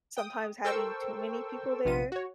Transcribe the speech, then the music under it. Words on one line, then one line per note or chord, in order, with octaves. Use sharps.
sometimes having too many people there,
G5 D#6
A4 A#4 C5 G5 C#6 E6
A#1 C3 F4 D#7
F#4 C#5